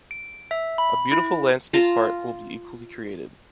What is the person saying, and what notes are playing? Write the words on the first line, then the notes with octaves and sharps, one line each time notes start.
A beautiful landscape park will equally be created.
D7
E5
B5
E4
F4 A5 A#5